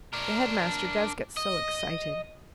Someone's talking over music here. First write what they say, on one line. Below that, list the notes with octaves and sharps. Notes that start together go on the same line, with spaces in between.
The headmaster does get so excited.
D4 A#4
D#5